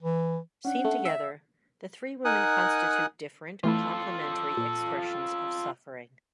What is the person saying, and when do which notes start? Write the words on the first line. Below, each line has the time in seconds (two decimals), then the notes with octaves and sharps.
Seen together, the three women constitute different, complementary expressions of suffering.
0.02 E3
0.65 C#4 D4 F#5
0.85 A3
1.05 E5
2.25 D#4 A#4 F#5 G#5 D#6 F#6
3.64 E3 A3 E4 F4 A4
4.57 A#2